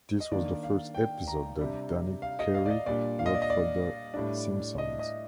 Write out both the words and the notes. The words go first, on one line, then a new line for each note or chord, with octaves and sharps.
This was the first episode that Donick Cary wrote for "The Simpsons".
D#5
D#3 A#3 D4 D5
F5
G5
A#5
C3 G3 D4
F5
D#5
F5
D5
D#5
A#2 G3 D4 D5
F5
D#5
D5
D#5
D5
A2 G3 D4
D#5
D#5